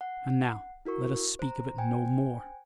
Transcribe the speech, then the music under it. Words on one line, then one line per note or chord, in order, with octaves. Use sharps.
And now let us speak of it no more.
F#5
E4 F#4 A#4 C#6
C5 A#5
C5 G5 G#5